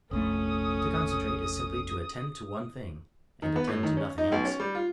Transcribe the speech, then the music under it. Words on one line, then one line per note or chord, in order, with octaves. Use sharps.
To concentrate is simply to attend to one thing, and attend to nothing else.
F1 A#1 A3 C#4 A4 D#6
D#3
B3
A2
D#3
C#4
D#4
B1
C#4
G3
F4